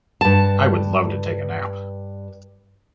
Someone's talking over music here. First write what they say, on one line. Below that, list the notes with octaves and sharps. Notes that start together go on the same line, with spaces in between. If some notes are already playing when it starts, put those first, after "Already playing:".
I would love to take a nap.
G2 A5